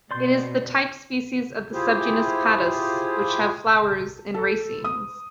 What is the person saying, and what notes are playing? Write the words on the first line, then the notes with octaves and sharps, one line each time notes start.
It is the type species of the subgenus "Padus", which have flowers in racemes.
B2 D5 C6 G6
E4 F4 G4 G#4 C5
A4
D#6